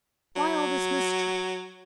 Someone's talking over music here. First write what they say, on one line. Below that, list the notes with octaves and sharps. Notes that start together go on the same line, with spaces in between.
Why all this mystery?
F#3